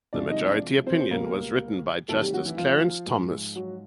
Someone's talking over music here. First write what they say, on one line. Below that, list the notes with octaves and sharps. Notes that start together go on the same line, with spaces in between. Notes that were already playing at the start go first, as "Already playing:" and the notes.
The majority opinion was written by Justice Clarence Thomas.
C2 C3 F3 G#3 D4 D5
D#4 D#5
D4 D5
C4 C5
C#2 B2 G3 A#3 A#4
D2 C3 D#3 F#3 A3 A4
G3 G4
F#3 F#4
E3 E4
F3 F4
G#2 F3 G#3
F#3 F#4